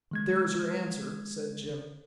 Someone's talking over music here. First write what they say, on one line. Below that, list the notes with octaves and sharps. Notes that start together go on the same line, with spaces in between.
"There's your answer," said Jim.
D#3 G#3 G#6